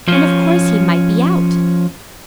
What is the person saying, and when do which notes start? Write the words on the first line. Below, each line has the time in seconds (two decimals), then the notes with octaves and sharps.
And of course, he might be out.
0.08 F3 C#4